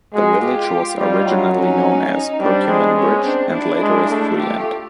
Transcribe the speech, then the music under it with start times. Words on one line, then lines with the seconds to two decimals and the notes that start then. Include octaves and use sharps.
The village was originally known as Perkiomen Bridge and later as Freeland.
0.14 G#3 F#4 G#4
0.42 F4 G4
0.98 G3 D#4 F4
1.27 F#3
1.55 C#4 D#4
2.11 C#4 D#4
2.40 G3 C4 D4
2.68 G#3
2.96 B3 C#4
3.24 C4 D4
3.53 D4 E4
3.81 G#3
4.10 A3
4.38 F4 G4